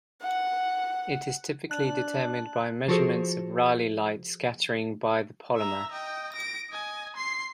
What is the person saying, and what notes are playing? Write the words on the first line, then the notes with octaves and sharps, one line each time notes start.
It is typically determined by measurements of Rayleigh light scattering by the polymer.
F#5
D4 A5 F#6
F3 F4 F#4 G#4 A4 C5
E5 A#5
D#5 G5
A#6 D7
D#5 G#5
C6 C7